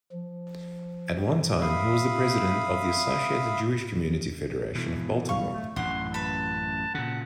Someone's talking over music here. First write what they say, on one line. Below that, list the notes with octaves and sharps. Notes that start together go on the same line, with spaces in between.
At one time he was president of the Associated Jewish Community Federation of Baltimore.
F3
E5 F5 B5 D#6
B2 E3
G3 F5 C#6
A3
A1 F#2 F#5 C6
B4 A5 B5
A#2 C#3 F#5